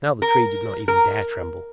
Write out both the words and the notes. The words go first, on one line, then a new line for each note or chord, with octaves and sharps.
Now the Tree did not even dare tremble.
A#4
A#4